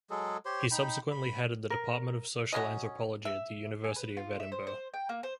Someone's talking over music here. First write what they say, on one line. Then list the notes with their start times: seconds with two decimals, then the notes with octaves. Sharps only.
He subsequently headed the Department of Social Anthropology at the University of Edinburgh.
0.10 F#3 G#3 G#4 A4
0.45 G4 C5 C#5 C6
0.71 D#4 G5 B5
1.12 B5
1.70 A#4
2.53 F#3 A#3 C#4 D#5
3.25 E5
3.84 G#5
3.96 B4
4.17 F4
4.40 E5
4.52 C5
4.67 C5
4.94 G5
5.09 A#3
5.23 C5